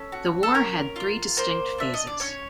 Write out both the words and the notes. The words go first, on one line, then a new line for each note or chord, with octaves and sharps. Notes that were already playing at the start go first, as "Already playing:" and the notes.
The war had three distinct phases.
Already playing: C#4 A4
F#4
A4
C#4 A#4
F4
A#3 C5
D4 E5
D#5
D5
C#4 C#5